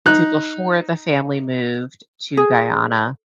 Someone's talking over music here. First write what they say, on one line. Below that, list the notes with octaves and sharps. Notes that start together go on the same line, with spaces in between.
to before the family moved to Guyana,
D#4 F#6
G#4